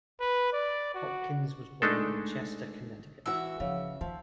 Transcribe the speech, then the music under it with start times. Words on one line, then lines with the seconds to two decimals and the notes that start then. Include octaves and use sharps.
Hopkins was born in Chester, Connecticut.
0.20 B4
0.53 D5
0.94 F#4
1.82 G#3 A3 D4 D#4 A4
3.26 E3 F#4 E5 F#5
3.60 C#3 F3
4.01 D#3 F3